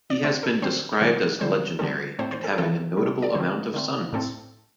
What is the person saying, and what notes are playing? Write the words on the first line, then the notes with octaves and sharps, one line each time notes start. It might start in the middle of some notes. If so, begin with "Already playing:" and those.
He has been described as legendary, and having a notable amount of sons.
D5
C3 A3 C4 C5
A4
D3 C4 C5
C5
C3 E3 G3 D5
D3 G3 C4 C5
D3 G3 C4 A4
A2 A3 C4 C5
C5
A4
C3 E3 C4 A4
C3 G3 C4
D5
D3 C4 C5
D3 A3 C4
A2 A3 C4 A4